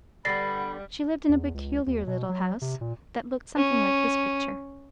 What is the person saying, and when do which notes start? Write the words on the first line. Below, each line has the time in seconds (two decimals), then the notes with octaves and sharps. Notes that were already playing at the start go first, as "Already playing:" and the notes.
She lived in a peculiar little house, that looked something like this picture.
0.25 D3 G3 B3 B5 A6 A#6 C7
1.29 E2
1.54 C#2
1.87 D#2
2.07 B2
2.29 F#3
2.62 C3
2.81 A#2
3.56 C#4